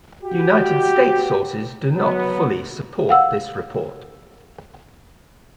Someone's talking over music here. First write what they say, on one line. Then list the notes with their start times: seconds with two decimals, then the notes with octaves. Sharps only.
United States sources do not fully support this report.
0.23 F#4 G4
1.95 F#3 B3
3.09 F5 F#5 E6